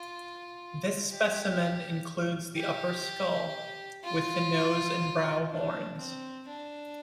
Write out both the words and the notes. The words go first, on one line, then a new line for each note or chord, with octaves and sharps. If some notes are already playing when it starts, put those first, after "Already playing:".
This specimen includes the upper skull, with the nose and brow horns.
Already playing: F4
G4
G4
F4
D4
C4
D4